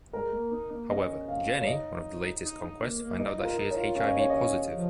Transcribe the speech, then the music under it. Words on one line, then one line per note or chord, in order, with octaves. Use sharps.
However, Jennie, one of his latest conquests, finds out that she is HIV positive.
G#3 A#4
A#3
D#4
A#3
C#4 D#5
F5
C#5
D#4 D#5
D#4
D#4
A#3
A#3
D#4 D#5
F4
A#4
D#4
C#5
F4
C#4 F5
D#5
C#5
D#5
F3